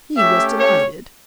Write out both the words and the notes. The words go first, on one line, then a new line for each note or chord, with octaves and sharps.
He was delighted.
A3 C#4 G4 E5
C#5